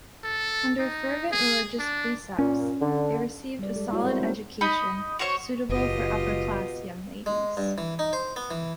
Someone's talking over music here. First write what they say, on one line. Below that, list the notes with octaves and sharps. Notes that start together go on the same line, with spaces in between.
Under fervent religious precepts, they received a solid education, suitable for upper-class young ladies.
A4
D#4
G#4
D4
A#2 C#4
D3
G3 D5
G#3 A4
G#3 E4 F#4 C#5
B3 C4 A#4 C5
G#3 A#3 D#4
D#4 D#5 B5
F#4 C5 C#5 C#6
F#1 B2 F4 G4 D#5
G#3
G2
E3
D#4
C5
B3
E3